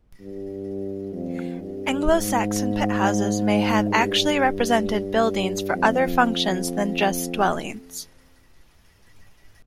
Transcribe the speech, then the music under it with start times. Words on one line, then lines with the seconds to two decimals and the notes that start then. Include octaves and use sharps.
Anglo-Saxon pit-houses may have actually represented buildings for other functions than just dwellings.
0.20 G2
1.12 F2
1.59 G2
2.05 G#2
3.90 G2
5.74 F2